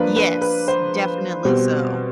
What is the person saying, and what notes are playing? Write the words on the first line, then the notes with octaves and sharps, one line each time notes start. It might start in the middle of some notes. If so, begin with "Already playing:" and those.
Yes. Definitely so.
Already playing: F3 A#3 D4 B4
B4
B4
C5
B2 G3 C4